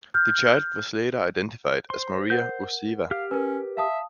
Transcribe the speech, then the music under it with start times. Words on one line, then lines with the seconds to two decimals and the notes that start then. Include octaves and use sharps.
The child was later identified as Maria Ruseva.
0.14 F6 G6
1.90 C5 C6
2.30 A#4 F#5 G6
3.11 G4 F5 F6
3.31 C#4 A#4 B4
3.77 E5 F5 A5 D#6